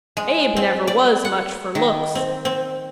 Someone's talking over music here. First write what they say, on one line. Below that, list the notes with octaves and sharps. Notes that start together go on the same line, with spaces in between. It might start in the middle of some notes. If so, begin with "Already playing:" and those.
Abe never was much fur looks.
G#3
C4
D5
F#5
D#3
C4
C4